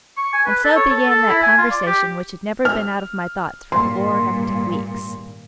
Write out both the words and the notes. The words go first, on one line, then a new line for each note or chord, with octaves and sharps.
And so began that conversation which had never been out of my thoughts for four hectic weeks.
C#6
G#5
B4
A4
C#5
A4
A4
E4
G#5
F4
D5
G4
F6
G#1 G2 A#2 C6